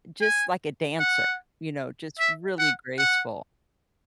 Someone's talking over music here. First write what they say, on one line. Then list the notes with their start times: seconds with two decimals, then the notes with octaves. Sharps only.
just like a dancer. You know? Just really graceful.
0.21 G#5
1.00 F#5
2.19 E5
2.59 F#5
2.98 F#5